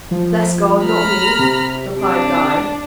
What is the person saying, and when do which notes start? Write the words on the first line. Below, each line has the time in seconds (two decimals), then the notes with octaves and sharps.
"Bless God, not me," replied Guy.
0.11 F3
0.84 A#5 B5 F6
1.39 C3
2.01 D4